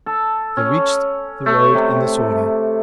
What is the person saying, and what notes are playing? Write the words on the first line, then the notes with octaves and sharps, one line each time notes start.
They reached the road in this order.
A4
C#4
A3
C3